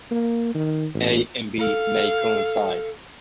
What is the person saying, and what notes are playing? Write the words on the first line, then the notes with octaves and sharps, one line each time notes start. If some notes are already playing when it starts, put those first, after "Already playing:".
"A" and "B" may coincide.
A#3
D#3
A1
A4 F5